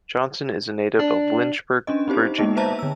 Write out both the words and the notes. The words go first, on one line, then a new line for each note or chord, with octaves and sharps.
Johnson is a native of Lynchburg, Virginia.
D4
C#4 D4 D#5
C4 D#4 G4 C5
D#4
G#3 A#3 B3 D#4 D#5
B4 C5 E5 A5 A#5
D3 E6